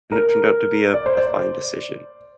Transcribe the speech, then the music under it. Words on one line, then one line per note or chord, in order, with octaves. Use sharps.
and it turned out to be a a fine decision,
A#4
D5
C5
D5